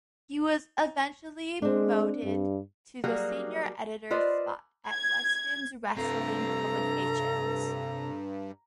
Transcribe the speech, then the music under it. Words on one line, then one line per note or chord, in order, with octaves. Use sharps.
He was eventually promoted to the senior editor spot at Weston's wrestling publications.
G#3 C4 D4
G2
F#3 G3 A#3 F#4 G#4
F4 B4 C5 D5 D#5
G#6
G2 C3 C4 F4 A4 A#5